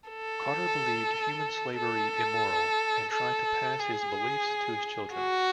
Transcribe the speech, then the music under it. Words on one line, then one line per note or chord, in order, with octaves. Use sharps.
Carter believed human slavery immoral, and tried to pass his beliefs to his children.
A4
A4
A4
G#4
F#4